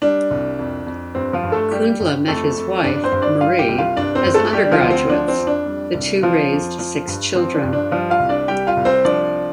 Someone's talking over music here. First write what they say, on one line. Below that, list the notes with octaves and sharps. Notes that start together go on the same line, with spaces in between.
Kundla met his wife, Marie, as undergraduates; the two raised six children.
G3 D4
C2
F2
F2
G2 C4
F3 F4
G2
A3 A4
G3 G4
G2
F2 A3 A4
F2
G2 D4 D5
C4 C5
G2
D4 D5
G3 F4 F5
G4 G5
C2
F4 F5
G2 D4 D5
C4 C5
G2
A3 A4
G3 G4
D4
F3 F4
D2
C4
F3 D4
C4
F2
D4
G3
C2
F3 F4
F2
F3
G2
F3 C4
D4
G2
D4
F3 G3 F4
F4 F5
C2
D4 D5
G3 G4 G5
F4 F5
C2
C4 C5
F3 D4 D5